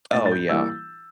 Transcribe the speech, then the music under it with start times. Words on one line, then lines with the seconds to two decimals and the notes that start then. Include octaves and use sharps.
Oh, yeah.
0.13 A2 A6
0.26 A6
0.32 G6
0.49 E3 G3 A#3 E4 E6